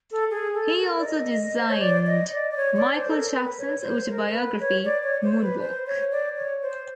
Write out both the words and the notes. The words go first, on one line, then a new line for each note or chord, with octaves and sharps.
He also designed Michael Jackson's autobiography, "Moonwalk".
A4
G#4
A4
A#4
D5
D#5
C5
C#5
D5
D#5
D5
D5
C#5
D5
C5
A4
A#4
B4
C#5
C#5
C5
A#4
A#4
B4
C#5
D5
C#5
C5
B4
C5
C#5
D5
C#5
C5